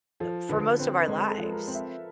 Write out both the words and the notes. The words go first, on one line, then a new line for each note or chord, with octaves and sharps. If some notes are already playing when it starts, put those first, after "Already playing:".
uh, for most of our lives.
F3 A4
D3 B4
C4 B4
B4
G#3 A#4
A4
F3
A4
A#4
C4
E5